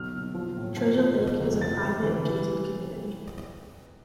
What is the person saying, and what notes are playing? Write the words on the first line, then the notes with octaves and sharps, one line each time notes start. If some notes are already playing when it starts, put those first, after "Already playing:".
Treasure Lake is a private, gated community.
Already playing: B1 F6
B1
F3
A2
F3
F3
B2
F1
F3 A6
C3
E3
E3